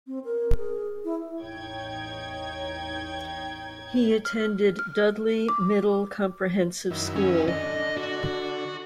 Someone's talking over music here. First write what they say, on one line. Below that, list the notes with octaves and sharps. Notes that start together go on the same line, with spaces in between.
He attended Dudley Middle Comprehensive School.
C4
A#4
G#4
E4
A1 E2 D#4 C#5 G5 G#6
F6
F6
D6
F#2 D#3 E4
C#4
D3 D#5
F#4